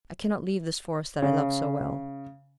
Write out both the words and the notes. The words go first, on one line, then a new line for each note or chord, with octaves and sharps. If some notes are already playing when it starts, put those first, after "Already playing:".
I cannot leave this Forest that I love so well.
C#3